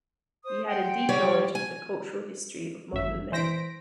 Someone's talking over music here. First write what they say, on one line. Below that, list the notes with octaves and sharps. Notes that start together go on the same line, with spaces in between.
He had a deep knowledge of the cultural history of modern man.
C5 D#6
F#5 G5 C6
G3 C#5
G#5
G#1 F#2 E5
E3 C5 A#6 B6 D7